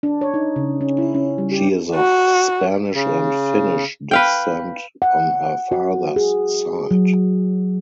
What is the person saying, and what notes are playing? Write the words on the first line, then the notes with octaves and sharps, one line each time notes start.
She is of Spanish and Finnish descent on her father's side.
D4
C#5
D#4
C#3
C#4
E4
C#4
G3
G4
F#4
C#3
B4 F5 G5
F#5
F#4
G#4
F#3